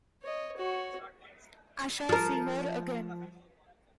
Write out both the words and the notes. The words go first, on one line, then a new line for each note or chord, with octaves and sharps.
I shall see her again!
C#5 D#5
F#4 C#5
F3 A#4